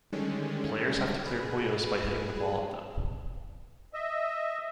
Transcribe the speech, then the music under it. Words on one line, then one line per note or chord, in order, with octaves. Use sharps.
Players have to clear Puyos by hitting the ball at them.
D3 D#3 G3 G#3 C#4
G#4 B4
D#5 E5